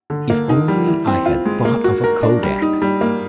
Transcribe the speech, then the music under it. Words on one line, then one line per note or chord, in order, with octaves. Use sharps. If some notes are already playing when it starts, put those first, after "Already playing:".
If only I had thought of a Kodak!
D3
A#3
D#4
G3
E3
C4
F4
G#3
A#3
F#4
A#4
D4
G3
D#4
G3
A#3